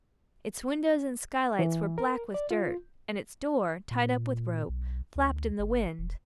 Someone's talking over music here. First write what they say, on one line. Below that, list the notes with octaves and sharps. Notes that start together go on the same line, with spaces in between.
Its windows and skylights were black with dirt, and its door, tied up with rope, flapped in the wind.
E3
A#4
D5
F4
A#2
B1
D2
G1
E1